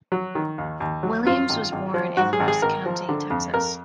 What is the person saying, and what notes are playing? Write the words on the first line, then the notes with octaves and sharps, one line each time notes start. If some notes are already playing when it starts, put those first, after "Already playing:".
Williams was born in Rusk County, Texas.
F#3
D#3
D#2
D#2
F#3
F#2 F4
G#1
G#1
F3
G#2 F#4
G#4
G#1
G#4
G#1 A#4
F3
D3
F2
F2 A#4